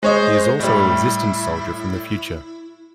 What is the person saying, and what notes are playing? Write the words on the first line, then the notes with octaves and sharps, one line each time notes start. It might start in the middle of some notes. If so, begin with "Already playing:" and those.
He is also a Resistance soldier from the future.
G#3 C5 C#5 D#5
A2 G3 E4